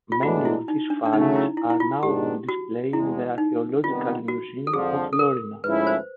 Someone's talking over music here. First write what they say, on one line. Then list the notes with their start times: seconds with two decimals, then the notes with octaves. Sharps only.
Many of these finds are now on display in the Archaeological Museum of Florina.
0.12 F4
0.22 A2 E3 G#3 B3 D4 F#4
0.45 E4
0.68 D#4
0.90 D4
1.06 D4
1.13 C#3 F#3 A3 D#4
1.36 E4
1.57 E4
1.70 E4
1.80 F4
2.03 G#2 D#3 G#3 B3 D4 G4
2.49 F#4
2.93 E2 B2 G#3 E4
3.38 D#4
3.83 C3 D#3 G3 B3 F4
4.28 F#4
4.67 A4
4.73 F2 D3 F3 G#4
5.13 A4
5.19 A#4
5.64 G#2 F3 A3 C#4 E4 B4
5.87 C5